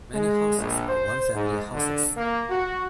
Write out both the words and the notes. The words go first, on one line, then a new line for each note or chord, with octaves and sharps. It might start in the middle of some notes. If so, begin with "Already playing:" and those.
Many houses are one family houses.
G#3
A#1
C5
G#2
D3
A#3
F#4